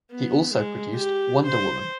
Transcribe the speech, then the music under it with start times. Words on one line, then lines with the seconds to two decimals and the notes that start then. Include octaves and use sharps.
He also produced "Wonder Woman".
0.11 B3
0.55 G#3
0.95 G4
1.47 C5